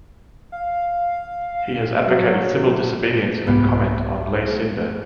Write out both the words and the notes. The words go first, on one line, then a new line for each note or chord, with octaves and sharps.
He has advocated civil disobedience in a comment on Ley Sinde.
F5
F#3
C2 G#2 G#3 B3 G4